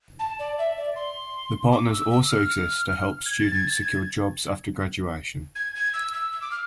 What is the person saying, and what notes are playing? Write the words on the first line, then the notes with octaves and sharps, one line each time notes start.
The partners also exist to help students secure jobs after graduation.
A5
D5
E5
D5
C6
D6
E6
E6
F6
G#6
A6
G#6
A6
G#6
G#6
G#6
E6
E6
E6
D6
F6